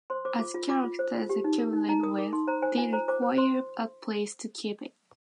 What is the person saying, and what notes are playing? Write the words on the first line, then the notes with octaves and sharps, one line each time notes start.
As characters accumulate wealth, they require a place to keep it.
C5 C6
C5 D6
F4 D6
F4
F4 D6
F4
C5
F4
G4
D#4
A#4
D#4
D#4 A#5
A#4 D#6
A#4 D6
D#4 C6
C5 A#5
C5 G#5
F4 G#5
C5 A#5
C5 D6
C5
C5 C6